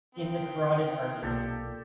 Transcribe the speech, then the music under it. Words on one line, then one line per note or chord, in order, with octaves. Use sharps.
In the carotid artery.
D#3 C4 G5
B1 A#2 G4 A4